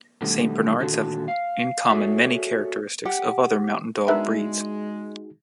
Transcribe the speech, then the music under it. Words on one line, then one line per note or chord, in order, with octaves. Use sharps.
Saint Bernards have in common many characteristics of other Mountain dog breeds.
B2 D3 D#3 G3 A3
A#2 D3 D#3 G#3 F#4 A4
F5
F#4 G#4 A4 C#5 D5 E5
G4 F#5
G#3 B3 D4 D#4 F#4 G#4 A#4 E5